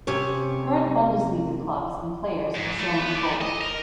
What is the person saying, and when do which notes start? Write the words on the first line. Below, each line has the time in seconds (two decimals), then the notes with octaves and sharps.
Current Bundesliga clubs and players are shown in bold.
0.07 C3 C#4 C#5
2.56 G#2
2.80 A3
2.99 B3
3.15 A3 D5
3.41 D#5
3.61 A#4